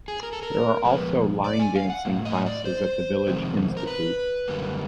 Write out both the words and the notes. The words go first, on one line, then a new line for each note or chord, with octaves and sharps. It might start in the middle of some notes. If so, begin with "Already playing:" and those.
There are also line dancing classes at the Village Institute.
G#4
A#4
A4
A#4
A#2 F3 G#3 B3 B4
D5
G#5
F5
F#5
A2 F#3 A#3
D#5
D5
C5
F2 C3 D#3 G#3
A#4
B4
F#2 D3 G3 A#3